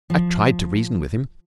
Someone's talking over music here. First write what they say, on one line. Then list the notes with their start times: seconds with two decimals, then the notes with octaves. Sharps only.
I tried to reason with him.
0.10 F3